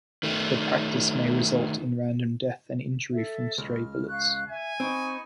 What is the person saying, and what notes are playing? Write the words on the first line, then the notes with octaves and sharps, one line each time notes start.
The practice may result in random death and injury from stray bullets.
D#3 A3
A4 E5
C#2 F6
F5 C#6 F#6
E5 G#5
C4 D#4 B5 C#6